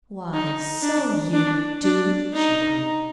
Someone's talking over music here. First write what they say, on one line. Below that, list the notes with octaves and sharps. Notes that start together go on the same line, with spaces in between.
"Why--so--you--do!" she breathed.
D#4
D4
D4
D4
D#4